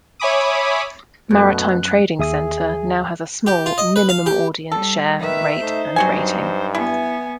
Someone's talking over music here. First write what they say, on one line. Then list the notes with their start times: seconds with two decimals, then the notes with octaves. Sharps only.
Maritime Trading Center now has a small, minimal audience share, rate, and rating.
0.20 C#5 E5 G#5 B5 D6 D#6
1.31 F#2 B2 A3 F#6
2.19 D#2 G#4 E5 D#6
3.47 G4
3.66 F4
3.78 D#5
3.96 B4
4.09 F5
4.26 G4
4.72 G3 A4
5.20 D#3 B4 E5
5.60 A3 D#4 C5
5.96 G2 F#3 C4 F#4 G#5
6.75 B3 E4 G#5